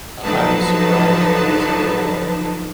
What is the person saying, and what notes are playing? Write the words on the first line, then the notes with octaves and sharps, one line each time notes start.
I I'm surprised to this day that,
D3 F3 F#3 D#4 B4 A5